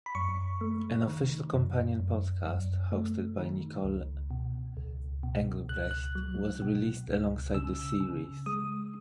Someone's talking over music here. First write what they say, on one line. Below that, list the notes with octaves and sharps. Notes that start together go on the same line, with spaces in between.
An official companion podcast hosted by Nicole Engelbrecht was released alongside the series.
B5
F#2 C#6
A3
D#3
F#2
F#2
F#2
A3
D#3
C#2
B2
C#2
B2
C#2 F#6
F#6
F#3
B2
C#2
C#3 E6
C#3
G#3 D#6